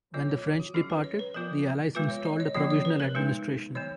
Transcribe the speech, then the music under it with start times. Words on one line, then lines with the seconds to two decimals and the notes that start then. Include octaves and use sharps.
When the French departed, the Allies installed a provisional administration.
0.14 F#3 B3 F4 C#5
0.30 C#5
0.44 F4
0.60 F#4
0.74 F#3 C#4 F4 G#4
0.90 B4
1.04 C#5
1.19 B4
1.34 F3 B3 F4 A#4
1.95 G#3 B3 F4 B4
2.10 C#5
2.25 D#5
2.40 C#5
2.54 F3 A#3 C#4 F4 C#5
2.70 C#5
2.85 B4
3.00 A#4
3.15 G#3 B3 D#4 B4
3.75 D#3 F#3 B3 C#5